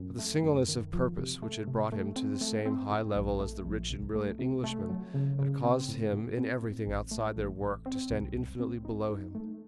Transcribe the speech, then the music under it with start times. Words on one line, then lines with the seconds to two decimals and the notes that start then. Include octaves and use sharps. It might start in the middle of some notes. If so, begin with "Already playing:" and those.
But the singleness of purpose which had brought him to the same high level as the rich and brilliant Englishman, had caused him in everything outside their work to stand infinitely below him.
Already playing: F#2
0.19 A3
0.44 F#2
0.68 D#3
0.93 F3
1.18 C3
1.42 A3
1.67 C3
1.92 A3
2.16 C4
2.41 A3
2.66 C4
2.91 A2
3.16 A#1
3.40 A3
3.65 A#1
3.90 C2
4.15 A3
4.39 C3
4.64 A3
4.89 F#3
5.14 C#3
5.39 C#3
5.63 C4
5.89 A2
6.13 A2
6.38 C4
6.62 A2
6.87 A1
7.11 A3
7.36 A1
7.62 A1
7.86 C4
8.10 C2
8.35 C2
8.60 C4
8.85 D#4
9.10 D#4
9.35 A3